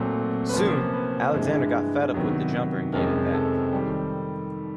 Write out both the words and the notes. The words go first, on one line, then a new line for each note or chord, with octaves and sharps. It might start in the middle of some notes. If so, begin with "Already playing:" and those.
Soon, Alexander got fed up with the jumper and gave it back.
Already playing: A#2 F#3 A3 C4
B4
C3 F3 A#3 C#4 C5
B4
G2 E3 G#3
C3 D#3 F#3 B3
F2 C3 F3 G#3 C#4 A#4
A4
D#3 G3